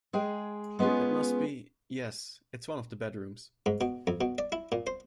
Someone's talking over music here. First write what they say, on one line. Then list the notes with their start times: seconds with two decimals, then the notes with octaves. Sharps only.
That must be — yes — it's one of the bedrooms.
0.13 G#3 G#4 G5
0.79 G#3 B3 C#4 F4 G#4
3.66 G#2
3.81 B2
4.07 F2
4.21 B2
4.38 D5
4.52 E4
4.72 A#2
4.87 C5